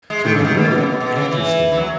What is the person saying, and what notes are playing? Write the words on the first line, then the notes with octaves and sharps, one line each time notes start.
So, it's really interesting,
G#3
D#3
C#3
D#3
B2
A2
B2
C#3
B2
B2
C#3
E3
E3
F#3